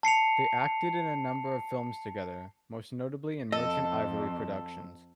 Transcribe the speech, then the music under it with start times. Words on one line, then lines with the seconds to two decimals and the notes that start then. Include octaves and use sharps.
They acted in a number of films together, most notably in Merchant Ivory productions.
0.03 A5 C7 C#7 F7
3.52 F2 A4 D#5